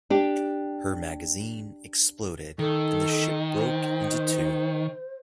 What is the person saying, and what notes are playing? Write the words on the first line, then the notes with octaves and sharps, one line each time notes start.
Her magazine exploded and the ship broke into two.
D4 G4
D#3 A4
C5